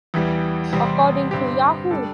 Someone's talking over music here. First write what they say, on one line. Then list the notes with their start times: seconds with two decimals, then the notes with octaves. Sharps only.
According to Yahoo!
0.14 E2 E3 G3
0.72 E2 C3 G3 C4
1.31 G2 D3 C4 G4
1.91 G3 D4 A4